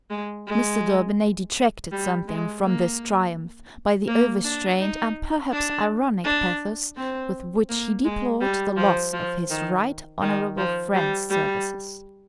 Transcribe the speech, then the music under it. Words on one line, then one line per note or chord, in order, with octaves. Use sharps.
Mr. Daubeny detracted something from this triumph by the overstrained and perhaps ironic pathos with which he deplored the loss of his right honourable friend's services.
G#3
G#3
G3
G#3
A#3
A#3
D4
D#4
D4
D4
C4
A#3
G#3
G3
F3
F3
D#3
D#3
F3
G3
G3